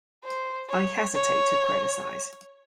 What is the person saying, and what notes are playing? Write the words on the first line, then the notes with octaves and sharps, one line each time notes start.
I hesitate to criticise.
C5
C#5
C#5